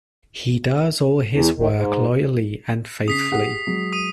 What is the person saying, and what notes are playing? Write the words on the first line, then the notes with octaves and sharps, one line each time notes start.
He does all his work loyally and faithfully.
E2
D#3
G#2
C#3 D#6 B6 C7
G4 G#4 F#5
F#3 G#3
D#6 D#7